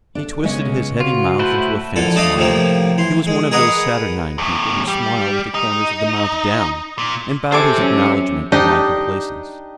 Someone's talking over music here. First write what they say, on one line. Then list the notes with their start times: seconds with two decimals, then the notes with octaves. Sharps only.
He twisted his heavy mouth into a faint smile--he was one of those saturnine people who smile with the corners of the mouth down,--and bowed his acknowledgment of my complaisance.
0.15 D4 A4
0.44 C#2 G#3 B3 C#4 D#5
1.00 F4 F#4
1.39 A2 A3 E4 B4 C5
1.96 A#1 D3 E3 A4
2.16 A3 D4 A4 D5 D#5 F5
2.37 A2 C3 F3 A#3
2.98 E3 C6
3.27 G#3
3.51 G#4 A#4 B4 D#5 F#5
4.38 E2 A2
4.88 G3
5.55 D#4
6.99 A#2
7.52 G4 A4 C5 G#5 D6
7.78 E3 F#3 C#4
8.52 D4 D#4 G4 D#5